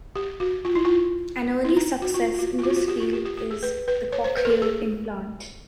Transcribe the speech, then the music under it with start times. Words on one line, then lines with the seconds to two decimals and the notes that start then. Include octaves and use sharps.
An early success in this field is the "cochlear implant".
0.15 G4
0.40 F#4
0.65 F4
0.75 E4
0.85 F4
1.64 E4
1.77 D#4
2.02 F#4
2.14 F4
2.34 F4
2.39 F#4
2.59 F4
2.64 F#4
2.70 F4
2.76 F#4
2.88 G4
3.01 F4
3.13 G4
3.25 G4
3.37 G4
3.51 G#4
3.63 B4
3.88 B4
4.12 C#5
4.24 C5
4.37 B4
4.45 A#4
4.50 A4
4.62 G#4